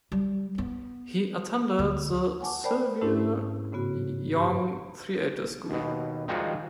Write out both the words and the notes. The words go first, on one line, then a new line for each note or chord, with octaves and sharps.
He attended the Sylvia Young Theatre School.
G3
B3
D2
F#5 G#5 A5 D6
A#4 C5 D5 G5 A5 B5
G#2 A3 C#4 D4 E4 G4
A2 C#3 B3 F#4
G2 G4 C6 C#6
D#2 B2
D#3 F3 G3 G#3 F4 F#4